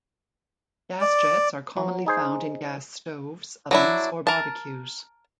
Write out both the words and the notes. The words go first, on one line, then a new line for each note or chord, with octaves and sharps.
Gas jets are commonly found in gas stoves, ovens, or barbecues.
D5
F#3
D#4 G#4 C5
F#3 D4 E4
A#4 A5